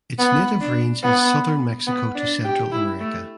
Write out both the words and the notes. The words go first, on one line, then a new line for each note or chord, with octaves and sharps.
Its native range is Southern Mexico to Central America.
B3
D4
B3
B3
D4
G4
E4
A3